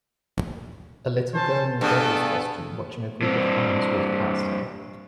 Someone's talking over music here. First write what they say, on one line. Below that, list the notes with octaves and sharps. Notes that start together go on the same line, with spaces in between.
A little girl in a devils costume watching a group of clowns walk past her.
C#4 C5 A5
G2 B3 G#4 A4
G2 C4